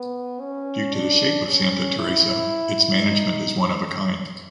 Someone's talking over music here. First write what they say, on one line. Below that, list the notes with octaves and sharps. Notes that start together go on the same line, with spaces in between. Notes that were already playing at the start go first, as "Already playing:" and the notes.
Due to the shape of Santa Teresa, its management is one of a kind.
Already playing: B3
C#4
D4
C#4
E4
D#4